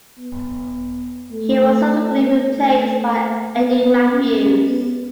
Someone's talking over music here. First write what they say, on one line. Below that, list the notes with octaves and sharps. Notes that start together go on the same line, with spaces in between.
He was subsequently replaced by Eddie Mathews.
B3
A3
A3
B3
A3
B3
B3
C#4
C#4
B3